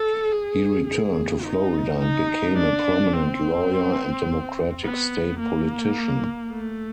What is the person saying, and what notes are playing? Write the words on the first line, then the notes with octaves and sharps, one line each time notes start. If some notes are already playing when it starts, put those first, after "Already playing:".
He returned to Florida and became a prominent lawyer and Democratic state politician.
Already playing: A4
G#4
G#4
D#4
D#4
D4
C4
B3
A#3
A3